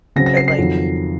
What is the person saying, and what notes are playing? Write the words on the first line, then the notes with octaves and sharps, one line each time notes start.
uh, like,
C#3 F#3 C4 A#6
A#6
C7
C7
F2 D#3 F#3